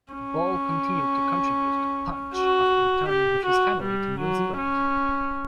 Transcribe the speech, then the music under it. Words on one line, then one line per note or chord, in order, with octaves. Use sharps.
Ball continued to contribute to "Punch" after returning with his family to New Zealand.
C#4
F#4
G4
F#4
G3
F#3
C#4